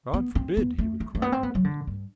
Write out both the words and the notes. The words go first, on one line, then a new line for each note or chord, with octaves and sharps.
"God forbid!" he would cry indignantly.
B3
C4
B3
A3
A3
A3
B3
C4
B3
F#3
D3
G2